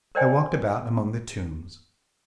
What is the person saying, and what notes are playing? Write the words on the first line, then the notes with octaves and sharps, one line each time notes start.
I walked about among the tombs.
A#4 C5 D5 D#5 G5 G#5